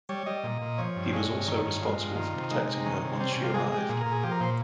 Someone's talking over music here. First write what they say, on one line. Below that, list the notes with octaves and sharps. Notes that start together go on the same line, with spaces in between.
He was also responsible for protecting her once she arrived.
G3 C#5
G3 D#5
A#2
A#2
F3 C#5
G2
G#3 C#5
G2
D#3 C#5
G2
G#3 F4
G2
D#3 F4
C3
G#3 D#4
C3
D#3 C#4
C3
G3 C4
C#4
C3
F4
G#3 G#4
G#4
G#3
G4
A#2 G#4
A#4
A#2
G#4
F3 G4
A#4
A#2 C5